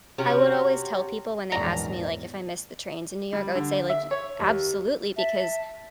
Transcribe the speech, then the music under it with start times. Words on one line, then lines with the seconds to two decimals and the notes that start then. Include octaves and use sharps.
I would always tell people when they ask me, like, if I miss the trains in New York, I would say, like, "Y absolutely, because,
0.18 C3 C#4 F#4 C#5
1.52 A#1 E2 G#2 F#3 D4 A#5
3.33 G3
3.55 D3
3.90 E5
4.11 C#5
4.39 D#2
5.17 E5 A5